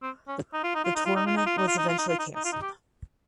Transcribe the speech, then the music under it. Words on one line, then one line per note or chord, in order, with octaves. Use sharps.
The tournament was eventually cancelled.
C4
C#4
D#4
F4
D#4
F4
D#4
F4
D#4
F4
D#4
F4
D#4
F4
D#4
F4
D#4
F4
D#4
D#4
F4
D#4
G4